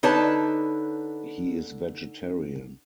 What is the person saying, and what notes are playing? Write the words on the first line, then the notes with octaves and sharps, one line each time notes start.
He is vegetarian.
D3 D#4 B4 C#5 A5